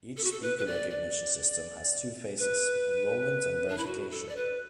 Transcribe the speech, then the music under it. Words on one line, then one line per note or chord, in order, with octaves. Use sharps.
Each "speaker recognition" system has two phases: Enrollment and verification.
A4
F#4
A4
B4
B4
D5
D5
B4
D4
E4
F#4
A4
D5
B4